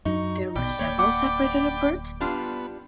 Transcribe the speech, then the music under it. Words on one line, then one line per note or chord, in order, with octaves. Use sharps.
There were several Separated at Birth?
F#2 F#3 D#4 C#6
A#1 B2 D5 G5 B5
D1 A#3 C#5
F#5 D6
G3 B3 D4 F4